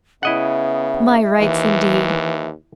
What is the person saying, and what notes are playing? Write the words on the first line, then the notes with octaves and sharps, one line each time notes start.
"My rights, indeed!"
C#3 B3 E4 D#5 E5 F#5
D#2 E3